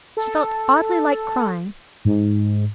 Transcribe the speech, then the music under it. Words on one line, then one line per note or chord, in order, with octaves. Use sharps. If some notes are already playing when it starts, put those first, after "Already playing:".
She felt oddly like crying.
A4
G#2